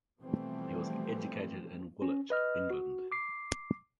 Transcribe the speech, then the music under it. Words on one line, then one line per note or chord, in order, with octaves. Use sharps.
He was educated in Woolwich, England.
B2 E3 F3 G3 A3 C4
C#4
B4 D#5 F6
F#4
D6 C7